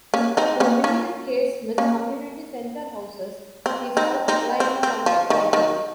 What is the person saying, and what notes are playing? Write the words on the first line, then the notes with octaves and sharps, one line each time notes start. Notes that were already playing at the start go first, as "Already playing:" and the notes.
The William K. Smith Community Center houses the South Lyon Township Library.
A#3 C#4
C4 D#4
A#3 C#4
A#3 C#4
A#3 C#4
C4
C4 D#4
C4 D#4
C4
C4
F3
D#3
D#3